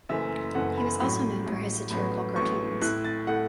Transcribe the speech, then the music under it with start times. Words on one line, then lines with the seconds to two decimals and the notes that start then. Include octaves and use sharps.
He was also known for his satirical cartoons.
0.09 F#1 F#2 E3 A3 E5
0.54 F#1 F#2 E3 A3 F#5
0.77 B5
1.00 A1 A2 F#3 B5
1.46 A1 A2 F#3
1.91 A1 A2 F#3 B3 B5
2.36 A1 A2 F#3 B3 C#6
2.82 A2 A3 E4 F#6
3.04 A6
3.27 A2 A3 E4 F#5